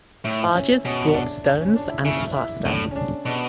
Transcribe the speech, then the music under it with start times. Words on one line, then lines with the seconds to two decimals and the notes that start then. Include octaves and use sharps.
Barges brought stones and plaster.
0.24 A2 E4
0.55 C#4
0.85 B2 C#4
1.14 D4
1.45 D4
1.60 C#4
1.76 D4
1.90 E4
2.05 C#3 E4
2.36 E4
2.65 A2 D4
2.91 C#4
2.96 D4
3.25 B2 D4